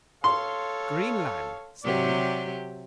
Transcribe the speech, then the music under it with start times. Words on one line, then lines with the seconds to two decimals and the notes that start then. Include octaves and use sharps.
"Greenland!" said he.
0.24 A4 C#5 F5 C6
1.84 C3 F#3 G4 D5